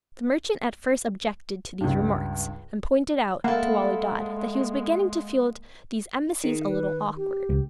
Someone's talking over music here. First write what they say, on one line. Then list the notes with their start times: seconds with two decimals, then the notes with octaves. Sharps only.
The merchant at first objected to these remarks, and pointed out to Wali Dad that he was beginning to feel these embassies a little awkward.
1.81 C#2 G2
3.44 G#3 A#3 E4 A4 F5 F#5
6.44 D#3 G#4
6.68 B4
7.17 G4
7.49 C#2